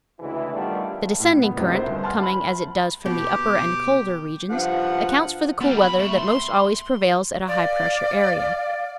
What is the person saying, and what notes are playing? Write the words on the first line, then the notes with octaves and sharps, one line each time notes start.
The descending current--coming, as it does, from the upper and colder regions--accounts for the cool weather that most always prevails at a high-pressure area.
D2 C#3 E3 G#3 E4
D#3 G3 A3 B3 D4 F4
A2
F#1 B3
F1 C#2 F#3 C4
E4 A#4 C5 E5
G1
F#5 G#5 A5 C6 F6
B5
B2 G4
G2 F3 F#5
G3 B3
B5
A3
C6
D5 F5